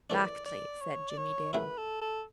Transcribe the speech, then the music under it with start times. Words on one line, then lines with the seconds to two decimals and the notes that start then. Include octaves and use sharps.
"Exactly," said Jimmie Dale.
0.10 F#2 C#3 E3 A3 D4 D5
0.45 D5
0.81 C#5
1.10 D5
1.18 C#5
1.53 F#2 C#3 F#3 A3 E4 B4
1.78 A4
2.01 A4